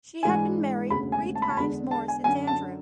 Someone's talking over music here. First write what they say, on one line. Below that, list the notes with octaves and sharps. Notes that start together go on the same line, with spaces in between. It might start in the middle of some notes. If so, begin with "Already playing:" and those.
She had been married three times more since Andrew.
G#2 E3 G#3 D4 G#5
E1 D2 C#3 G#3 B5
G#5
A5
B5
A5
E2 D3 G#3 B5
A5
G#5
F#2 D3 F#3 G#5
A5